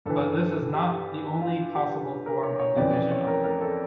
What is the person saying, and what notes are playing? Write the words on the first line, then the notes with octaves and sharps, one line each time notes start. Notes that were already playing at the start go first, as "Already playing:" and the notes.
But this is not the only possible form of division of labor.
G2 E3 A4
A4
G4
F4
G4
A#4
C#5
C#5
F2 C#3 E3 D5
D5
C#5
A#4
A#4
A4